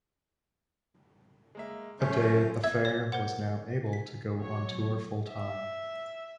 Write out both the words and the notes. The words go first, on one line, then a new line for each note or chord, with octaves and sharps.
A Day at the Fair was now able to go on tour full-time.
G#3 A#3 E5
F#2 A3 C#4 F#4 C5
E5 G#6
C#5
A#4 C5 F#5
B6
B2 F#3 C#5
E5